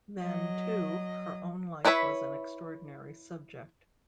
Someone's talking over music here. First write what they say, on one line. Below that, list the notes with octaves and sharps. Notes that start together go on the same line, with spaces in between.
Then, too, her own life was an extraordinary subject.
F#3 D#5
D4 E4 B4 C#5 E5